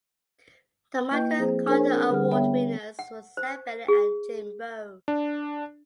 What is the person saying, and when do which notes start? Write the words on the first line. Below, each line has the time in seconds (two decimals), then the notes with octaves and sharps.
The Michael Carter Award winners were Sam Bennett and Jin Bo.
1.11 A#3 E4 B4 D#5 G5 G6
1.39 F3 C4 G#4 C5
1.67 D4 G#4 A#4 C5 C#5 G#5
1.93 C4 A#4
2.10 D3 G3 G4 G#4 F#5 F6
2.32 B3 C#5 E5 G5
2.99 F#5
3.37 C5
3.88 G#4
5.08 D4